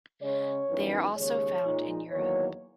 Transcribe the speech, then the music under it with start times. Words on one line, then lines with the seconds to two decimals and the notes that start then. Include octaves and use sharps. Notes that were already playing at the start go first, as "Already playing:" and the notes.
They are also found in Europe.
0.22 C#3 G#3 C#4 C#5
0.69 F#2 E3 B3 D#4
1.17 D#2 C#3 G#3 C#5
1.63 A#2 G#3 D#4
2.11 E2 D#3 F#3 A#3 C#5